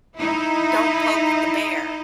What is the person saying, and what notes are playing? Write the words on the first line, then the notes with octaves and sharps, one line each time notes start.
don't poke the bear
D#4 E4